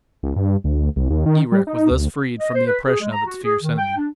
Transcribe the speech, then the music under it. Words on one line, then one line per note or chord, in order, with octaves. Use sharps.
Erech was thus freed from the oppression of its fierce enemy.
C#2
G2
D2
C2
D#2
D#3
G3
D#4
D2
D#5
C5
B4
G#4
G#3
A#5
F#4
G#4
D#3
G5
D4